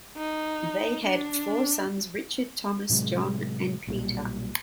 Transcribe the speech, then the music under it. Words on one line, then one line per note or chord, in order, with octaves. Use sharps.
They had four sons, Richard, Thomas, John and Peter.
D#4
D4
A2 C3 F#3 G#3
B1 A#2 G3